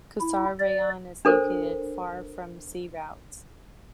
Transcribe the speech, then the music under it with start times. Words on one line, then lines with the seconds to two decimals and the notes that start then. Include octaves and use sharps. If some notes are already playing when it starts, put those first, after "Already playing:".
Qusar rayon is located far from sea routes.
0.20 E4
0.59 D5
1.25 D4 A4 A#4 C5